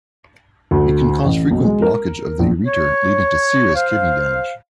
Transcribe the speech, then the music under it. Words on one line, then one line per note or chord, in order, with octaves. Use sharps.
It can cause frequent blockage of the ureter leading to serious kidney damage.
D2
A1
B1
G#3
A#4
A#1
C#5
C5 F5